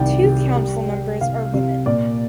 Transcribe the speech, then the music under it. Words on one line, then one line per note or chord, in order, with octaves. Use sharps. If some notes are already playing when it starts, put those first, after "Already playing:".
Two councilmembers are women.
Already playing: C2 D#3 D5 G5
C3
G3
G3
C2 F5
C3
A#2 D5